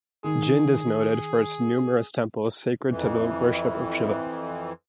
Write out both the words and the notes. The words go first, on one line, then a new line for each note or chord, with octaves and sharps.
Jind is noted for its numerous temples sacred to the worship of Shiva.
D#3 G#4
F2 E3